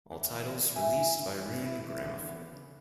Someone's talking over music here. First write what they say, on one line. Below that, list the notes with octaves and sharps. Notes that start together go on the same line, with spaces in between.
All titles released by Rune Grammofon.
E3
E3
B3
E3 E5 G#5
E4
E3
E3
E4
E3
E3
B3
C#3